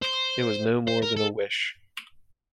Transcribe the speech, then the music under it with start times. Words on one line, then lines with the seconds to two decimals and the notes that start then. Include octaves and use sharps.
It was no more than a wish.
0.02 C5
0.87 C5
1.02 A#4
1.16 A4